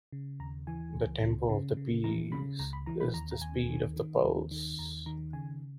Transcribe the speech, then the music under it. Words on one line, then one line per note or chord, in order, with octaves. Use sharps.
The tempo of the piece is the speed of the pulse.
C#3
D#2 A#5
E3 G#5
C#2
C#2
C#3
C#3
E3 A#5
C#3 B5
C#2 A#5
B5
E3 A#5
B5
D#2 A#5
A#5
D#2 G#5
D#3
D#3
D#2
D#3
D#2 A#5
D#3 A#5
C#3 G#5